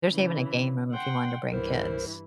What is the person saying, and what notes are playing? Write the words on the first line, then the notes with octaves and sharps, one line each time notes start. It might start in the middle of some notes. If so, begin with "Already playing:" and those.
there's even a game room if you wanted to bring kids.
C#3 E3
F#5 G5 C6
C2 G2 E3 A#4 C5